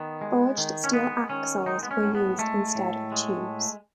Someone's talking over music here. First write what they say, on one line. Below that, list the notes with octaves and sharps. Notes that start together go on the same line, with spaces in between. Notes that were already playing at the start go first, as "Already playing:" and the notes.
Forged steel axles were used instead of tubes.
Already playing: D#3 B3
G#3
D#3
C#4
G#3 B3
D#3 C#4
G#3 D#4
B3
C#4
A2
B3
G#3 A3
A2
G#3